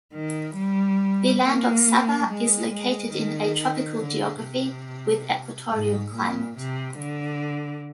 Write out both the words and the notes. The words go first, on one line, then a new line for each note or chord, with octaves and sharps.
The land of Sabah is located in a tropical geography with equatorial climate.
D#3
G3
A#3
G#3
G#3
D#3
D3
C3
G#2
A#2
C3
D3